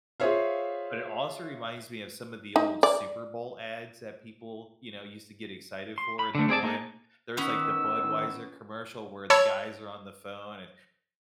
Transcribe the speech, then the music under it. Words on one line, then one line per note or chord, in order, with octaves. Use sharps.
But it also reminds me of some of the old Super Bowl ads that people, you know, used to get excited for, and the one there was, like, the Budweiser commercial where the guys are on the phone and,
F4 G#4 C5 C#5 E5 F5
D#4
D5
C6
B5
D3 A3
C4 G#4 D5 A5
A#3 D#4 G#4 A4
D#3 B3 C#4 E6
C#5 A5 B5 E6 G#6